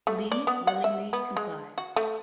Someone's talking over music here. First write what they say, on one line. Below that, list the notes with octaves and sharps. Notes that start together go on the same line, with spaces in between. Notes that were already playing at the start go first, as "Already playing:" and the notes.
Lee willingly complies.
A3
D5
B3
F#5
E5
B3
G#3
F#4
A3